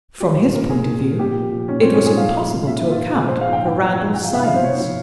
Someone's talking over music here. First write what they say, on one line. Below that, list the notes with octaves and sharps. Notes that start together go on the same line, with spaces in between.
From his point of view, it was impossible to account for Randal's silence.
F3 G4
A#2
A#2 A#4
A#2 G#4
A#2
A#2
A#2 G4
F3
F3
A#2 C#4
C4
F3
C#4
A#2 G#4
F3 F5
F3
F3
A#2 E5
A#2
F4
A#2
F3 G#4
C5
A#2
F5
F3 G5
F3 G5
F3
F3
F3 G5
F5
C3 E5
F5
F3
C5
F3 C#5
F3